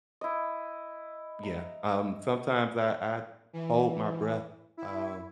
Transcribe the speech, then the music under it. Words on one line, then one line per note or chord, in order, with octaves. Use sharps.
Yeah, um, sometimes I I hold my breath, um,
E4 D#5
A#5
E3
E4